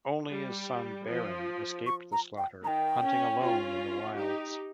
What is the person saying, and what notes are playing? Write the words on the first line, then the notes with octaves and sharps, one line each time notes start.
Only his son Beren escaped the slaughter, hunting alone in the wilds.
G3
F3
C#6
A#5
G5
D#3 G5 A#5
C#4
C#4 F4
D#4 G4